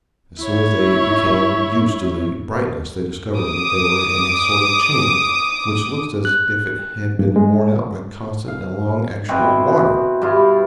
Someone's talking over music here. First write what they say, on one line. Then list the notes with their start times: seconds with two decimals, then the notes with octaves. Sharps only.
As soon as they became used to the brightness they discovered that they were in a sort of chamber which looked as if it had been worn out by constant and long action of water.
0.39 E4 C#5
3.36 D6 D#6
6.25 F#6
7.19 G2
7.36 G#3
8.48 F5
9.28 B2 C4 E4 F#4
10.22 G2 E4 F4